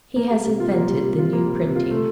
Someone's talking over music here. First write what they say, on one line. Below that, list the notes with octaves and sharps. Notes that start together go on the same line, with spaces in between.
He has invented the new printing.
A#3
G3
C3
F4
A#3
G3
C3
F4
A#3
G3
C3
F4
A3